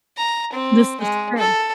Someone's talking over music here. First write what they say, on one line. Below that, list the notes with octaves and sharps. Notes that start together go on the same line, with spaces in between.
This is true.
A#5
C4
G#3
A4